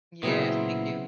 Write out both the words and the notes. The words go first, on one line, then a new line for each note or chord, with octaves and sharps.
Yes. Thank you.
A#2 C#3 F#3 B3 C4 E4